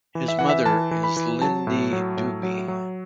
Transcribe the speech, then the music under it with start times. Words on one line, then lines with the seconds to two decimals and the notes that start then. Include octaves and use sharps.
His mother is Lindi Dube.
0.15 E3
0.28 E5
0.39 E3 F#5
0.50 E5
0.66 E3 A5
0.91 E3
1.04 B5
1.17 E3
1.41 F#3 A5
1.67 A2
1.93 F#3
2.17 A2
2.43 F#3
2.68 F#3